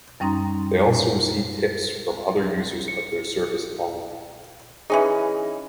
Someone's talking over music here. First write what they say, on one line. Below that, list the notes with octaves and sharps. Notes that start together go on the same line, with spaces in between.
They also receive tips from other users of their service online.
F#2 G3 C#4 D#4 A#5 C6
C#7
E3 C#4 D#4 G#4